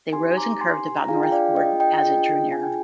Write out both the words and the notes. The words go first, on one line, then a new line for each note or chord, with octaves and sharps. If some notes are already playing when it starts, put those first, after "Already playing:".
They rose and curved about northward as it drew nearer.
C4 D#4 G4 G#5 C6
A#5 D6
G#5 C6
A#5
D4 F4 G#4 F5 G#5
G5
D5 F5
D#5 G5
D#5 G5
D4 F4 G#4
G#5
G5